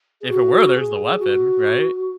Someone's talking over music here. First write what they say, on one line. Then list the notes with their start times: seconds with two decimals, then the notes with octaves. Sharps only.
"if it were, there's the weapon," right?
0.21 G#4
0.29 F#4
0.74 G#4
1.19 F#4